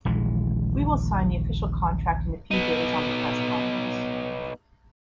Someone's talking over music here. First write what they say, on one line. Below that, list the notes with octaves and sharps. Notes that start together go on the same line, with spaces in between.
We will sign the official contract in a few days on the press conference.
D#1 A#1 E3 G#3
B3 D#4